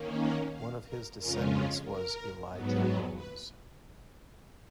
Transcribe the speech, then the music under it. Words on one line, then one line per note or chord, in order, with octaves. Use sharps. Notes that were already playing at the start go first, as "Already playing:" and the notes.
One of his descendants was Elijah Loans.
Already playing: D#3 A#3 C#4
F#5
F5
A#4
F2 C#3 G#3 C#4 F4 A#4
A#4
G#2 F#3 B3
B4